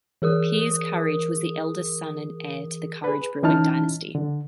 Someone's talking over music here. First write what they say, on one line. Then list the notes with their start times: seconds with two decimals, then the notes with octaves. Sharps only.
Piers Courage was the eldest son and heir to the Courage brewing dynasty.
0.22 E3 G#4 A#4 D#6
3.04 G#4 B4
3.43 E3 C#4 D#4 E4 A5 F6
4.15 D3